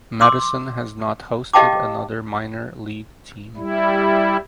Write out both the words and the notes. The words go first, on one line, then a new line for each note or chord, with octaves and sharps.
Madison has not hosted another minor league team.
C6 D6 E6
G4 D#5 F5 G5 A5 D6
G3 E4